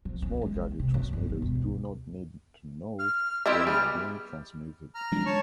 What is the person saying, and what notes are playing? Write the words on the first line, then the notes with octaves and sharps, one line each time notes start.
Small gadget transmitters do not need to know what is being transmitted.
F3
C#4
G#3
D#3
C3
F#2
G1
E3
E1
D#2
F6
G3 C4 E4 G4 D#5 E5 E6
G3 B3 G#4 F6
A#5 F6
F3 G#3 D4
C#5 A5 C#6